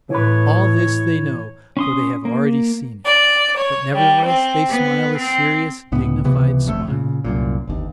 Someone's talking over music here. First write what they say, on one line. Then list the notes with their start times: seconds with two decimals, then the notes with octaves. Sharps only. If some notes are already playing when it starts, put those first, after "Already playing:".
All this they know, for they have already seen it, but nevertheless they smile a serious, dignified smile.
0.10 A2 E3 B4 C#5
1.77 C#4 C6 D#6
2.25 A#3
3.05 D5
3.56 C#5
3.95 G3
4.25 C4
4.70 B3
5.17 C4
5.92 C#2 A2 B3
6.24 C#2 C3 E3 B3
6.65 G1 F2 B2 A3
6.88 A#2 C#3
7.25 C2 F#2 A#2
7.68 G1 D#2